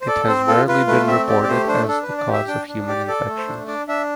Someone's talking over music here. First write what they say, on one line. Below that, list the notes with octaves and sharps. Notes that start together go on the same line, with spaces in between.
It has rarely been reported as the cause of human infections.
C5
A4 D5
C4 C5
F4 A4
F4 B4
A3 B4
C4 E5
G4 D5
D5
A3 C5
D4 C5
D4 A4
B4
D4
D5
G4
E5
D4 G5
D4
G4 D5
A4 D5
A3
C5
D4
D4 D5
D4 E5